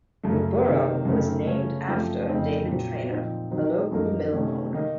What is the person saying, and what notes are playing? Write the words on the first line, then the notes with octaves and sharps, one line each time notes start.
The borough was named after David Trainer, a local mill owner.
F#2 C#3 A3
C3 D#3 A#3
F#2 C#3 A3 C4
C#3 A3 C#4
F#2 F3 A3 C4
F2 C#3 A3 C4 D#4
A#2 F#3 C4
A#2 F3 C4 D#4
D#3 F#3 C4 D#4
F#2 F3 A#3 D#4
C3 D#3 A3 C#4
D#3 A#3 D#4